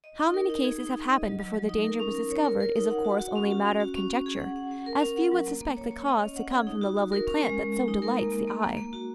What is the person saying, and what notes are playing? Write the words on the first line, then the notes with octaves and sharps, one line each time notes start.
How many cases have happened before the danger was discovered is of course only a matter of conjecture, as few would suspect the cause to come from the lovely plant that so delights the eye.
D#5
D#4
A#4
D#4
G#4
D#4
D#4
D#5
F#3
F#3
F#3
D#4
A#4
C#4
A#4
C#5
A#4
A#4
D#4
F#5
F#4
F#4
C#4
F#4
C#4
F#4
C#4
C#4
G#4
F#5
F#5
F#5
A#4
C#4
F#5
F#3
A#3
A#3
C#5
C#5
D#5
C#4
F#5
G#4
D#4
F#4
F#4
A#4
C#4
G#3
G#3
G#3
D#4
A#4
A#3
A#3
A#3
A#3
A#3
F#4